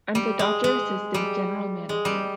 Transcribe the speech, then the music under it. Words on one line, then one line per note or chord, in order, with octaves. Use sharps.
I'm the Dodger assistant general manager.
G3
G#3
G#3
G3
G#3
G3